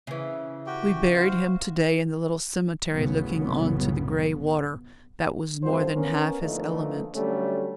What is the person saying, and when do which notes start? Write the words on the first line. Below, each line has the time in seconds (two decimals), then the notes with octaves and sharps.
We buried him to-day in the little cemetery looking on to the grey water that was more than half his element.
0.07 C#3 E3
0.67 F#4 G4 G5
1.16 F#4 C5 F5
2.92 C2 F#2 A2 C#3 B3
5.63 G2 D3 A3 C4 F4 C5
5.95 B3 C#4 A#4
6.41 D3 E3 F3 A3 A#3 D#4
7.14 D3 F#3 G3 A3 C#4